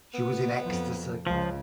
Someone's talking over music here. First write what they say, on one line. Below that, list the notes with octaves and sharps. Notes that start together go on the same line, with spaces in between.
She was in ecstasy.
B3
F2
C#2 C#3 F3 F4